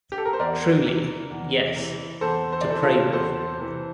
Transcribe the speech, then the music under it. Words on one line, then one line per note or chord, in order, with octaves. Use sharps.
Truly, yes, to pray with.
G4
A4
A#4
C5
E2 A#4 D5
C3 E3
E2
C3 E3
E2 A4 C5
C5
D5
C3 E3 A4 C5
F4 A4
E2 A4 C5
C3 E3